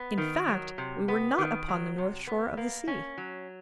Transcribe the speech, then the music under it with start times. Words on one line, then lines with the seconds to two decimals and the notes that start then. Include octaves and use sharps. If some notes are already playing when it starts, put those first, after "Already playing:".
In fact we were not upon the north shore of the sea.
Already playing: B3
0.18 D#3
0.48 F#3
0.78 C3
1.08 B3
1.38 D#3
1.68 F#3
1.98 C3
2.27 B3
2.57 A#3
2.87 C#4
3.18 F#3